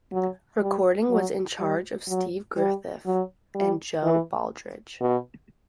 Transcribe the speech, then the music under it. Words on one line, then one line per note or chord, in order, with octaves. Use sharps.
Recording was in charge of Steve Griffith and Joe Baldridge.
F#3
G3
F#3
G3
F#3
G3
F#3
G3
E3
B2